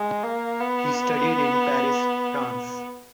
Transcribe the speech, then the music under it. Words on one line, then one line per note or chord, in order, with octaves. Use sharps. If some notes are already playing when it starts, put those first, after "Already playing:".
He studied in Paris, France.
Already playing: G#3
A#3
B3